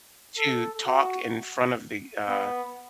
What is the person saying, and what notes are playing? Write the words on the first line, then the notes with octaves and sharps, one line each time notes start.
to talk in front of the, uh
A4
F#4
B3